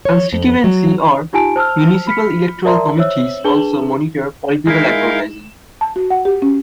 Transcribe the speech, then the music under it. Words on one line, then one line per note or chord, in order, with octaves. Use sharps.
Constituency or municipal electoral committees also monitor political advertising.
C#5
F2
F#3
D#4 F4 G4 G#5 A5 D7
C5 A5 E6 F6
B5 F6 B6 C#7
A#4 D5 E5 A5 A#5 C6
C5 C#5 E5 E6
D4 G#4 B4 A5 G7
G#3 D#4 E4 A#4 F5
A5
F#4
F#5
G4
C#4